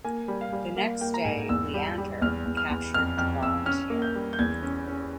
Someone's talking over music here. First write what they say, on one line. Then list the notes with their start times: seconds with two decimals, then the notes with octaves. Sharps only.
The next day "Leander" captured the "Volunteer".
0.05 A#3 G#5
0.28 G3
0.41 F5
0.53 G3
0.76 A#3 F5
1.01 A#3 G5
1.14 A#5
1.25 G#2 G#5
1.49 E2 E6
1.74 G3
1.98 G3
2.21 E2 F6
2.45 E2
2.57 F6
2.69 E2
2.94 F2 F6
3.18 F2 F6
3.42 F2 E6
3.66 C#4 F6
3.90 A#3
4.02 G6
4.15 G3
4.33 G6
4.39 E2 G#6
4.62 C#4
4.88 C#4